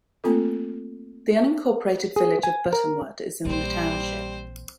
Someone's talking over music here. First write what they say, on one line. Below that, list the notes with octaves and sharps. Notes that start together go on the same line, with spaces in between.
The unincorporated village of Buttonwood is in the township.
A3 A#3 C4 F4 A4
G#4
G#5
A#4
A#1 E3 G3 C4 C5